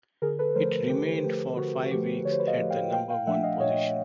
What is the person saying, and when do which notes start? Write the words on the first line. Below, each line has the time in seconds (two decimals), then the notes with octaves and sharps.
It remained for five weeks at the number-one position.
0.22 D3 G#4 A#4
0.39 A4 B4
0.55 F3 A3 A#4 C5
0.89 D3 G4
1.23 F3 A3 G4
1.57 D3 F#4
1.85 F#4
1.91 F3 A3 G4
2.25 D3 C#5
2.32 C5
2.39 B4 C#5
2.47 D#5 F5
2.59 F3 A3
2.70 F5 G5
2.93 A#2 F5 G5
3.10 F5 G5
3.27 F3 A3 D4 E5 F#5
3.43 D#5 F5
3.60 A#2 C#5 D#5